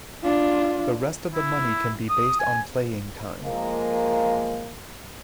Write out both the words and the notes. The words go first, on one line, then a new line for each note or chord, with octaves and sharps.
The rest of the money can be based on playing time.
D4 F4
E4
D#6
G#5
F3 G#3 A#3